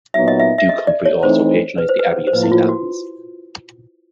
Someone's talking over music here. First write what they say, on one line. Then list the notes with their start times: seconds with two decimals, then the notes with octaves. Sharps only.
Duke Humphrey also patronised the Abbey of Saint Albans.
0.14 A#2 F#3 B3 D#4 E5
0.28 D#5
0.40 E5
0.58 E5
0.69 D#5
0.87 D5
1.05 C#5
1.23 E3 A3 C4 D#4 C5
1.78 B4
1.89 C5
1.99 B4
2.27 C5
2.33 A2 F3 A#3 B4
2.43 E4
2.52 F4
2.69 F#4